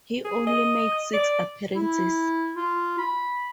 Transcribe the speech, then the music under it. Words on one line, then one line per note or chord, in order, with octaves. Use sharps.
He only made six appearances.
G#4
D#5
D5
E4
F4
B5